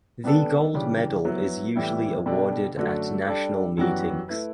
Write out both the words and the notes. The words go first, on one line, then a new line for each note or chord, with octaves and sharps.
The gold medal is usually awarded at national meetings.
G3 B3 D4 A4
C#3 E3 G3 D4 G4
F#3 B3 E4
A2 E3 G3 B3 E4
B2 G3 D4 A4
F#2 D3 A3 D4 F#4
G3 D4 A4
F#2 E3 G3 B3 F#4
A3 E4 B4